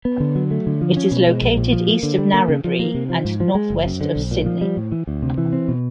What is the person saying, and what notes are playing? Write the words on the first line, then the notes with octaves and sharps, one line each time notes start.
It is located east of Narrabri and northwest of Sydney.
B3
D3
F#3
A3
D3
F3
C#4
B2
G#3
A#1
A#2
F3
A#3
D3
G3
A#3
C#3
F3
A#3
C3
F3
G#2
F3
G#3
F#1
F#2
D3
B1
A#2
F3
G3
A2
E3
D2
C3
E3
C4
B2